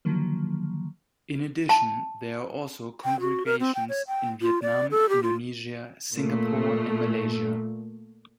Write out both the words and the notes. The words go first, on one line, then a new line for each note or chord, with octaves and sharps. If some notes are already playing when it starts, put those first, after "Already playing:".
In addition, there are also congregations in Vietnam, Indonesia, Singapore, and Malaysia.
D3 D#3 F3 F#3 A#3
A5
G5
F#4
A#4
C4
G5
C#5
G5
F4
D5
A4
G4
F4
A#2 A3